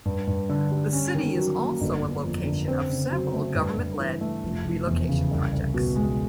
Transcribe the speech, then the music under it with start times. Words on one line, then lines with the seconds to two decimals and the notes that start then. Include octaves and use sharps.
The city is also a location of several government-led relocation projects.
0.05 G2
0.27 G2
0.49 D3
0.71 G3
0.93 C#4
1.15 D#3
1.37 F#3
1.59 A#3
1.81 G1
2.02 G1
2.24 F2
2.46 D3
2.68 C4
2.90 C#3
3.11 F#3
3.34 A3
3.55 G2
3.77 G2
4.00 E3
4.21 A3
4.43 F1
4.65 F1
4.87 E2
5.09 C#3
5.31 C2
5.52 C2
5.74 B2
5.96 G#3